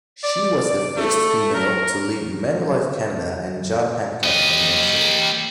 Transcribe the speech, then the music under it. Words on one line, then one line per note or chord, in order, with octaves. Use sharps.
She was the first female to lead Manulife Canada and John Hancock Financial.
D5
D5
A3
A#4
G4 D#5